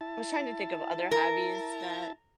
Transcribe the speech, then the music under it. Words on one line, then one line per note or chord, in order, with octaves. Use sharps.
I was trying to think of other hobbies that
E4 A5
A#4